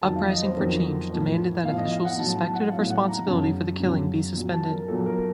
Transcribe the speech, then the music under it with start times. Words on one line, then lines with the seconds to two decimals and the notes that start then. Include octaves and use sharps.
Uprising for Change demanded that officials suspected of responsibility for the killing be suspended.
0.02 F2 D#3 F#3 A5
0.15 F5
0.29 D#5
0.42 C5
0.56 F2 D#3 F#3 A#4
1.10 F3
1.15 A2
1.64 A2 F3 F5
1.78 D#5
1.91 F5
2.05 F#5
2.18 A2 F#3 A5
2.36 A5
2.55 F#5
2.72 A2 F#3 F5
2.90 F#5
3.09 A#5
3.26 F#2 C#3 F#3 A5
3.80 F#2 C#3 F#3
4.34 A#2 F#3
4.52 A5
4.71 A#4
4.88 A#2 F#3 A4
5.06 A#4